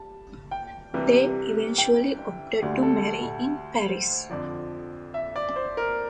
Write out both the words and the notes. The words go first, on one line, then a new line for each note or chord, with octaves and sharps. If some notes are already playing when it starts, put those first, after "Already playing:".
They eventually opted to marry in Paris.
Already playing: G3 A5
G5
C2 C3 E3 G3
G5
D2 D3 G3
A4
C5
F2 D3 F3 D5
E5
D5
C5
A#4